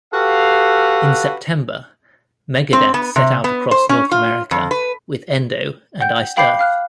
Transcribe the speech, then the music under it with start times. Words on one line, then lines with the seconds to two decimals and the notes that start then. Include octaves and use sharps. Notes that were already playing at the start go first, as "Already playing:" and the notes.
In September, Megadeth set out across North America with Endo and Iced Earth.
0.14 F#4 G4 A4 B4 F5
2.73 C4
2.94 B3
3.16 C3
3.44 B3
3.71 C5
3.89 C#4
4.11 F4
4.51 F2
4.71 B4
6.01 F#5 G5 G6
6.37 F5 G5 B5 D6 G6 C7
6.59 F5 F6 F#6